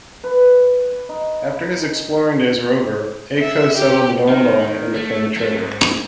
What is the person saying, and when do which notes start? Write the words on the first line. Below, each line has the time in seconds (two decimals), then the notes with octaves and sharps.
After his exploring days were over, Aco settled in Illinois and became a trader.
0.24 B4
1.09 D#4
1.83 G#5
3.41 E5
3.77 G4
4.29 D#3
4.94 A3
5.37 A3
5.55 G#2